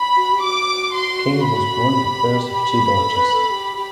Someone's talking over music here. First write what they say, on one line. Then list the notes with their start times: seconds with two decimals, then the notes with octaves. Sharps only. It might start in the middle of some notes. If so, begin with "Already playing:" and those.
King was born the first of two daughters.
Already playing: B5
0.16 F#4
0.33 G4
0.42 F#4 D6
0.94 C6
1.46 B5
1.91 F#4
1.97 G4
2.48 B5
2.99 A4
3.11 A4
3.16 B4
3.33 A4
3.50 G4
3.76 G4